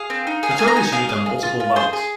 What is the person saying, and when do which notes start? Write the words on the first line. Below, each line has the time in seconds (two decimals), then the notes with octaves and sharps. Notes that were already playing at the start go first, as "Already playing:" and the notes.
The term is used on multiple levels.
Already playing: G#4 F5
0.10 C4
0.27 D#4
0.43 G#4 G#5
0.51 F5
0.59 G#4 G#5
0.67 A#5
0.76 D#4 G#5
0.92 G#4 F5
1.09 G#4 F5
1.26 G#4
1.43 F4
1.60 F4
1.76 G#4 C5
1.93 G#4